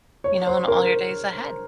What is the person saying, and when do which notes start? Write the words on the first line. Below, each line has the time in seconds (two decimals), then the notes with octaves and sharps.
you know, in all your days ahead.
0.24 C#5
0.47 C5
0.68 A#4